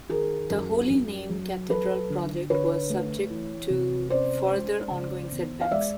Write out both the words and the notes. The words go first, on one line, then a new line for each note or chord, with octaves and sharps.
The Holy Name Cathedral project was subject to further ongoing setbacks.
D#3 G#4 A#4
F#2
F#2
F#3
F#3 A4 B4
D3
D3 B4 C#5
A3
E3
C3
C#4 C5 D5
G#3
C#3
E2
F5
G#3 D5 E5